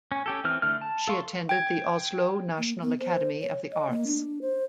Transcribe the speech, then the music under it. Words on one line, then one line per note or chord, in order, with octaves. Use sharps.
She attended the Oslo National Academy of the Arts.
C#4
C#4 G4 A4
E3 C4 F6
D3 A3 F6
A5
A4 F5 C6 C#6
G5 G#6
A#3
B3
C5
C#5
D#5
A#3
D4
C5